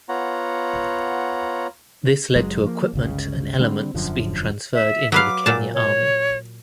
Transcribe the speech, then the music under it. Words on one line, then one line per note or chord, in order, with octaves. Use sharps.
This led to equipment and elements being transferred into the Kenya Army.
B3 F4 C#5 F#5 A#5
F#1 F#3 G#3
F3 A#3
G1 C#2 C#3
D3 G3 C4 D4
E1 F#2 D3 F3
E5
F#3 B4 F5 D6
A#2 F#3 A5
C#5